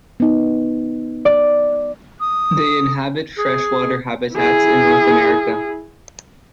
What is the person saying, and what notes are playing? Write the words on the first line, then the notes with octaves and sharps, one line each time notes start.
They inhabit freshwater habitats in North America.
B3 D#4
D5
D#6
G#4
E4 G#4